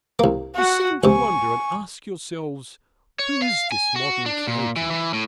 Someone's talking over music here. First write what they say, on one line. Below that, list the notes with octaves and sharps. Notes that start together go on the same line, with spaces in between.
You seem to wonder and ask yourselves who is this modern Quixote.
C2 A#3
F#4 F#5
C#2 C3 G#5 C#6
C#5
F5
G#5
F#4
D4
A#2
E3
E3
A2